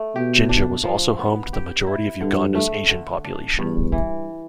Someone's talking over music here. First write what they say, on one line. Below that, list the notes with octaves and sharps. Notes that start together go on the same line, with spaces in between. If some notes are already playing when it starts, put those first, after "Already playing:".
Jinja was also home to the majority of Uganda's Asian population.
Already playing: A3
B2 G4
D4
F3
B3
G4
E4
G2 D3
A3
D3
D4
E2 G2
E3